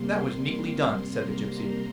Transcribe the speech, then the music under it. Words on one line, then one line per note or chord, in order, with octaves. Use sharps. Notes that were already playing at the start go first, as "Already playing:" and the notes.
'That was neatly done,' said the gypsy.
Already playing: C3 G3 A#3 C6
A#5